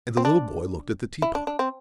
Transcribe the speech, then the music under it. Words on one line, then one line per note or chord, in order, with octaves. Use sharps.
And the little boy looked at the tea-pot.
C4
D4
E4
D4
D4
C4